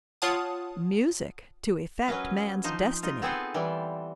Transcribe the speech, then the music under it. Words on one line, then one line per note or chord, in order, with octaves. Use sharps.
Music to effect man's destiny!
F4 C#5 F#5 A5 D#6
F#3 C#4 B4 D#5 F5
F3 D#4 C5
D#4 F4
B3 C4 G#4 A4 B4 C5
E3 G3 D5